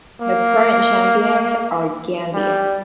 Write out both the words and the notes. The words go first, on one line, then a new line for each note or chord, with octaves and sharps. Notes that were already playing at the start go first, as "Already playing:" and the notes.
The current champions are Gambia.
A#3
G3